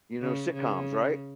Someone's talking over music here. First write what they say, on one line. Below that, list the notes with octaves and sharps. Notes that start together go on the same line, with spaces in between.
You know, sitcoms, right?
C#3
C#3